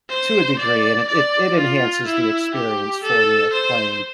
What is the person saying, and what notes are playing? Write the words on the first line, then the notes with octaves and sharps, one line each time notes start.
to a degree and it it enhances the experience for me of playing.
C5
D5
D5
F4
E4
G4
A4
C5